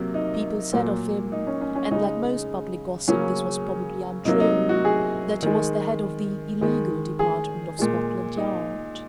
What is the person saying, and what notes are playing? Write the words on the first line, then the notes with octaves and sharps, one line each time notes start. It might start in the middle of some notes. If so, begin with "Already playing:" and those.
People said of him--and like most public gossip, this was probably untrue--that he was the head of the "illegal" department of Scotland Yard.
Already playing: C3 F#3 A#3
D#4
A#2 F#3 A#3
D#4
C#4
C#4
C#4
C#3 G#3 D#4
C#3 F#3 A#3 C#4
C3 F#3 A#3 D#4
D#4
F#4
G#4
D#3 G#3
D#3 G#3
G#4
A#2 G#3
D#4